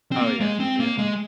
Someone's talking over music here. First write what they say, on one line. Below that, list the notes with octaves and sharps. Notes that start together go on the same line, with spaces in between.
Oh, yeah. Yeah.
C4
A#3
G#3
C4
A#3
G#3